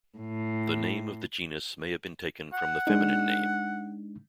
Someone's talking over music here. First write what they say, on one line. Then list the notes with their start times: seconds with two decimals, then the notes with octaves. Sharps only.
The name of the genus may have been taken from the feminine name.
0.17 A2
2.53 F#5
2.87 G#3 D4 D#4